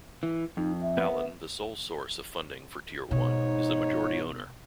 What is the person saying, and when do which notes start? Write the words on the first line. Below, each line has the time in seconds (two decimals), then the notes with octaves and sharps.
Allen, the sole source of funding for Tier One, is the majority owner.
0.23 E3
0.57 F2 D#4
0.82 E5
0.97 B3
3.11 G#2 B2 D#4 C#5